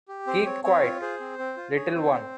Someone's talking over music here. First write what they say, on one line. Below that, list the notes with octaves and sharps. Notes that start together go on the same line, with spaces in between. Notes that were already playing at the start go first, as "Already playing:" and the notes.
Keep quiet, little one!
G4
C4 C5
C4 C#5
C4 C#5
F4
G#4 C5
C4
C4
F4
G#4 C#5
C4 C5
C#5
C4 C5